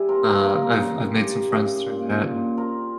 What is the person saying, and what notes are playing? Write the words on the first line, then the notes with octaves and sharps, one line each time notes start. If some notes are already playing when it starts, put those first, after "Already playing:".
Uh, I've I've made some friends through that and
Already playing: G3 E4 G#4 E5
C4 A#4
A#4
A#3 A#4
A#4
C#4 A#4
G#4
C#3 G4
C#3
A#2
A#2
C4 A#4